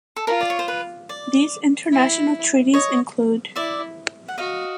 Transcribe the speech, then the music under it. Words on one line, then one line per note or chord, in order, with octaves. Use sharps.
These international treaties include.
A4
F4 A#4
D5
C#5
C5
B4
D5
E4
C#5 D#5
E4 D5 E5
F#5
F#4 D#5 F5